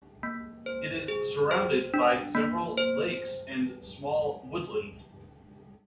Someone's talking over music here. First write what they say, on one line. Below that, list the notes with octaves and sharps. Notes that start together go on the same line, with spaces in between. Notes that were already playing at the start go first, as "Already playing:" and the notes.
It is surrounded by several lakes and small woodlands.
A#3
C5
G#4
C5
D4
A#3
C5